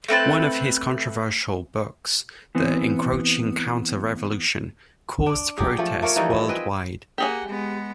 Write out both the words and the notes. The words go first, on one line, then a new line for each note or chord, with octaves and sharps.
One of his controversial books, "The Encroaching Counter Revolution", caused protests worldwide.
A3 C4 B4 A5
E3 B3 C4
D4
F#3 G4 G#4
F3 A3
A3 A#3 A#4 C#5
E3 F3 G3 D#4
C4 G#4 B4 D#5
A#3 G4 G#4 F#5 G#5
G#3 B3